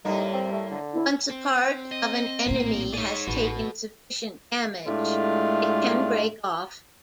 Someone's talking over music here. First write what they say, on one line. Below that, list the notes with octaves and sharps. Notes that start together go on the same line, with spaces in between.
Once a part of an enemy has taken sufficient damage, it can break off.
A2 G3 A#3 D#4
C4
A3
D3
E4
C4
D#5
A#1 A2 A#3
D#4 G#4 C#5 D5
A1 F#4 B4
A2 G#3 A3 D4 F4 G4